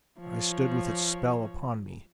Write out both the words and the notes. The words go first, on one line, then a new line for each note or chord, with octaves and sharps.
I stood with its spell upon me.
F3 C#5